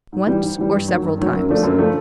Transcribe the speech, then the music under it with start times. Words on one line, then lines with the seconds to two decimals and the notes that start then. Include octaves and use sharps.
"Once or several times?"
0.12 G#2
0.26 E3 G3
0.42 G#2
0.58 E3 G3
0.73 G2
0.88 D#3 F#3
1.03 G2
1.18 D#3 F#3
1.33 F#2
1.48 D3 F3 A3 D4
1.63 F#2
1.78 D3 F3 A3 D4